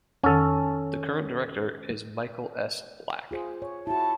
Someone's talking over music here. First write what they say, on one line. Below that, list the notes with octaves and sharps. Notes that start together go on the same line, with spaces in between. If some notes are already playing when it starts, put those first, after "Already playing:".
The current director is Michael S. Black.
F2 D#3 C#4 A4
F4 G#4 C5
C#5
E4 F#4 A5